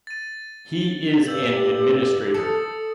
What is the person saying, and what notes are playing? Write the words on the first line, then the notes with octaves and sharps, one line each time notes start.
He is an administrator.
A6 D#7
G2 G4 E6 G6 F#7
A4 D#6 A6 C#7